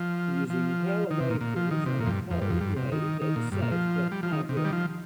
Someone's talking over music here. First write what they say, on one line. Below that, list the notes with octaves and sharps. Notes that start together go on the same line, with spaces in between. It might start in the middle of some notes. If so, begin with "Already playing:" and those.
Using power lathe tools on a pole lathe is safe, but hard work.
Already playing: F3
F3
D#3
C3
A#2
A#2
F3
D#3
C3
A#2
F2
G2
F2
G2
F2
G2
C3
D#3
D#3
A#2
G2
A#2
F3
G3
F3
D#3
C3
D#3
G3
F3